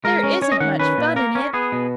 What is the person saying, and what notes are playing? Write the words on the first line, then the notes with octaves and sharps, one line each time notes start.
There isn't much fun in it.
G#3 A#4
C#4
C#4 C#5
D#5
D#3 F#5
C#4 B4
A#2
A#3 A#4
C#4
B3 G#4
B2